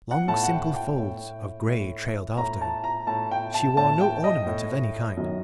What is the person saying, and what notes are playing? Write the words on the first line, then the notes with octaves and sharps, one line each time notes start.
Long simple folds of grey trailed after her: she wore no ornament of any kind.
F#5
A2 A5
F#5
G5
G5
A2
A2
A2 A#5
A5
A#5
A2 A5
G5
A5
A2 A5
G5
D#5
A2
F#2 D#3